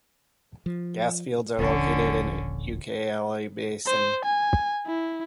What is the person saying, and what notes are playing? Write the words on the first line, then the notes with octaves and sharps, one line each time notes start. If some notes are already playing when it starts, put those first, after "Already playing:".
Gas fields are located in Ucayali Basin.
F3
D#1 A#1 D3 C#4
C5
G#5
E4